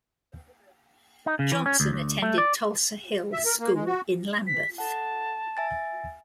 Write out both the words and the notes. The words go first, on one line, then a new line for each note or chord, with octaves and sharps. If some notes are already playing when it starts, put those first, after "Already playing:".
Johnson attended Tulse Hill School in Lambeth.
D#4
C#3
E3
C#4
D2
D2
A3
D5
E5
A#4
A#3
G#3
F#4
B6
A4 F#5 A5
E5 G#5 A6